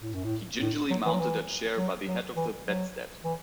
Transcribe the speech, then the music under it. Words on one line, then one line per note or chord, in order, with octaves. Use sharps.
He gingerly mounted a chair by the head of the bedstead.
A2
F#2
A2
A2
F#3
E3
F#3
E3
F#3
F#3
E3
F#3
E3